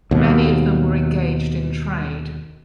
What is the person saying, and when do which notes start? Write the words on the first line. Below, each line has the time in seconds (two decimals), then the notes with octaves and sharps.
Many of them were engaged in trade.
0.11 D#2 B2